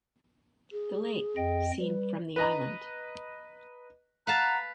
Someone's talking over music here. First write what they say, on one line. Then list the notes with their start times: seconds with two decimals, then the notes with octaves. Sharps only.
The lake seen from the island.
0.72 G#4
1.37 F2 D#5 G5
1.80 G3 B4
2.36 B4 D#5 A#5
4.27 B4 F5 F#5 A5 A#5 F#6